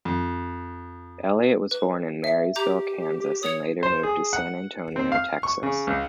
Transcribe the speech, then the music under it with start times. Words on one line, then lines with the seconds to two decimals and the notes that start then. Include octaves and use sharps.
Elliott was born in Marysville, Kansas, and later moved to San Antonio, Texas.
0.05 F2
1.71 B4
2.24 E5
2.56 G4 A#5 D6 G6
3.43 C#5 D#6 C#7
3.83 C5
4.03 G#4
4.33 F#5
4.96 C4
5.12 F5
5.43 C#6
5.63 C#3
5.87 C#2